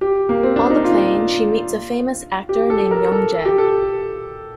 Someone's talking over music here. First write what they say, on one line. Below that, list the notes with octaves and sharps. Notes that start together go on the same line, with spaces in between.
On the plane, she meets a famous actor named Young-jae.
G4
A#3
C4
D4
D#4
F4
G4
A4
A#4
A4
A4
G4
A4